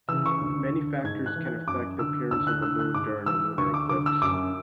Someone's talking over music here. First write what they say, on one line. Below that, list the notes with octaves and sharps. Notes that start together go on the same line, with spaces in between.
Many factors can affect the appearance of the Moon during a lunar eclipse.
C#3 E3 E6
C#6
D2
D3
G#2 G#6
F#6
E3
F#6
F#2 D6
D3 E6
D2 E6
F#6
D3 E6
F#6
G#2 D6
E3 E6
D2 C#6
D6
D3 D6
E6
F#2 D6